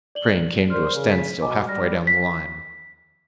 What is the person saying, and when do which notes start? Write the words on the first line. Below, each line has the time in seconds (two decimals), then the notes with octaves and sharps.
The crane came to a standstill half-way down the line.
0.15 D5 F#7 G7
0.70 A#4 C5 D5 F6
0.94 C#3
1.11 B6
1.42 B2 D#5 G#5 D6
1.67 G3 F6 A#6
2.07 B6